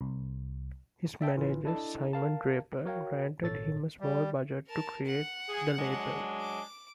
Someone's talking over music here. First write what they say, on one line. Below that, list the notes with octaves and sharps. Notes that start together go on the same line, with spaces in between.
His manager, Simon Draper granted him a small budget to create the label.
C2
D5 E5 G5 A5
A1 E3 F4
D4 E4 A4 D#5 A5
A#4 F5 A5
F#4 A#4 C#5 F5 G5
G#1 A#2 A4 C#5 A6
G3
A#4 A5
F#5
G#4
F#3 G#3 D4
D6